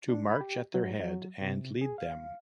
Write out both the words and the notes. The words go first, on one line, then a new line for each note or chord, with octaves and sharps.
To march at their head and lead them.
D4
B5
G4
F#3
F#3
C3
G#4
F5